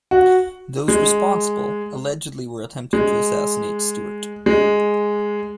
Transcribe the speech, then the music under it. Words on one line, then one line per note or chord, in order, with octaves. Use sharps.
Those responsible allegedly were attempting to assassinate Stewart.
F#4
G#3
G#3
G#3